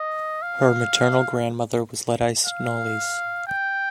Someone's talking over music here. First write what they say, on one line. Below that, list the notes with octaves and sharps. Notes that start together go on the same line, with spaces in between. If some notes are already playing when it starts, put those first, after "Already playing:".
Her maternal grandmother was Lettice Knollys.
Already playing: D#5
F5
F5
G5